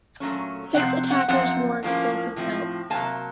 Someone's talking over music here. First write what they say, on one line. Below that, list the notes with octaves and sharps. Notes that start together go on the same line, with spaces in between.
Six attackers wore explosive belts.
A#2 F#3 A3 C#4
C3 F3 C4 F#5
F#5
F#2 F3 C4 F#5
A2 F3 A#3 C#4
A2 F3 C4
C3 F#3 A#3 A5